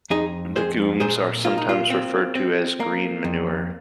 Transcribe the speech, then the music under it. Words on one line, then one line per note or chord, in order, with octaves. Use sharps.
Legumes are sometimes referred to as "green manure".
F2 D#4 G#4
F2 G#4 C5
A#2 G#4 C5
A#3 F4
D#4
F4
C4
C4
A#3
F2